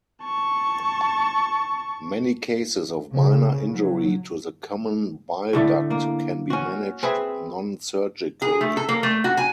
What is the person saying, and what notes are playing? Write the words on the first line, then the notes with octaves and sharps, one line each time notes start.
Many cases of minor injury to the common bile duct can be managed non-surgically.
A5 C#6
C#3
F#3
A2 D3 A3
A#3
C#4 F#4
C4 G#4 B4 E5
G#4
A3
A4
A#3
A3
F#4
G#5